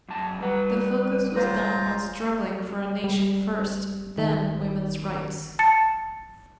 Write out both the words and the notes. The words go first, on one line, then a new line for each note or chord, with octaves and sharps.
The focus was now on struggling for a nation first, then women's rights.
F#2 A5
G3 B4 F#5
G3 F4 C5 C#5 A#5
G3
D#3
A5 A6 C#7